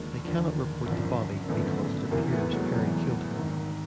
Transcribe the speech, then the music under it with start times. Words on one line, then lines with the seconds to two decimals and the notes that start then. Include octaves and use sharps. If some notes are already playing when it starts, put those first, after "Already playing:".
They cannot report the body because it appears Perry killed her.
Already playing: D#2 D3 F3 G#3 A#3
0.24 D#2 D3 F3
0.86 G#1 F#2 D3 F3
1.48 G#1 F#2 D3 F3 A3 B3
2.11 E2 C3 E3 A#3 C4
2.31 A3 B3
2.53 F#3 G#3
2.73 E2 C3 E3 G3
3.36 G#1 G#2 D#3